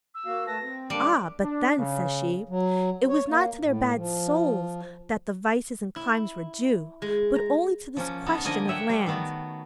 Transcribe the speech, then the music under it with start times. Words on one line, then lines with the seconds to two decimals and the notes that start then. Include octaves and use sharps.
'Ah, but then,' says she, 'it was not to their bad souls that the vices and climes were due, but only to this question of land.
0.15 E6
0.26 A#3 F#4 F5
0.47 A3 B4 A5 A#6
0.62 C4
0.90 D3 G3 A#3 D4 D6
1.41 D4
1.77 C#3
2.48 F#3
3.08 C#5
3.28 A#3
3.61 A2
3.94 F3
5.96 E4
7.02 G#3
7.35 A#5
7.97 F3 A#3 C#4
8.26 B3 D#4 A4
8.44 D3 F3 A#3 D#5 G#5
8.68 C#5 E5 F#5 G5
8.89 G3
9.06 D#3 A3 B3 F#4